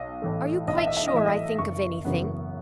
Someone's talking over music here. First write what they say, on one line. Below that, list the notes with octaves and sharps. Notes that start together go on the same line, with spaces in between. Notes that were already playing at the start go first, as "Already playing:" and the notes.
"Are you quite sure I think of anything?"
Already playing: B1 D#5
A2 E3 A3
B1 D#5
E5
D#5
E5
D#5
A2 E3 A3 E5
D#5
F#1 C#6
F#2 C#3 E3 B3